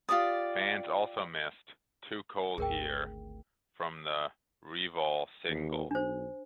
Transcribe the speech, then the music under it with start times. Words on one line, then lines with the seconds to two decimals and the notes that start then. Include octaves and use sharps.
Fans also missed "Too Cold Here" from the "Revol" single.
0.09 F4 G4 D5 D#6
2.58 G#1 D2 G#4 A#4 G5
5.48 D#2
5.91 B1 D4 C5